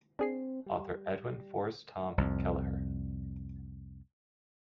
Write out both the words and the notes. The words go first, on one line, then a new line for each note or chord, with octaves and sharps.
Author Edwin Forrest-Tom Kelleher.
C4 D4 G#4 C7
G3
C2 F2